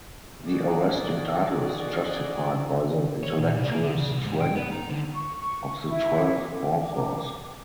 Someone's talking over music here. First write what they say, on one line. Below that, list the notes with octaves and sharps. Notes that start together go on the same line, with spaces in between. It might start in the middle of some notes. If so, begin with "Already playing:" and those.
The arresting title is justified by the intellectual strength of the twelve authors.
D#3 E3 D#4 F#4 G#4 D5
C#5
A#2
C2
A#3
D3
C#3
C2
G#2
G5
B3
D#4
D3
C#6
C#6
E4
D6